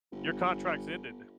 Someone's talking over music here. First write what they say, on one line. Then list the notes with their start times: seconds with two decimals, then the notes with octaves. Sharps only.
your contract's ended.
0.12 G1